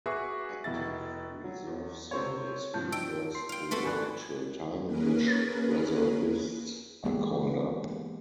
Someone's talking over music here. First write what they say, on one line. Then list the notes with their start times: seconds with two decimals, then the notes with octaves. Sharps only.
Active reserve service refers to the actual time in which reservists are called up.
0.06 F#4 G#4 B4 E5 C#6 D6
0.64 F1 B2 E4 A6
1.44 F#3
1.67 E2
2.11 C3 C5 C#5
2.74 G2 B2 F3 A5 G6
2.92 F3 D4 D#4 G5 E6
3.35 C6 C7
3.49 F5 G5
3.71 A3 B3 C4 F#4 A4 B4 C6
3.85 G#1 F3 D5 G#5 B5 F#6
4.87 A#3 C#4 G#4 A#4 B4
7.04 E3 G#3 A#3 B3 G4 G#4